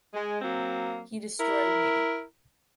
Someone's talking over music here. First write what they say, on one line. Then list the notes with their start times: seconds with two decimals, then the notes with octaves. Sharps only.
He destroyed me.
0.14 G#3
0.42 F#3 A#3 C4
1.39 E4 A#4